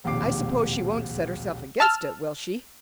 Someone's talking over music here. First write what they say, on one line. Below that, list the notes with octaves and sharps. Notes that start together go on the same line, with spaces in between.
"I suppose she won't set herself against it; will she?"
E1 A#1 D#2 C3 D6 C7
A5 E6 F6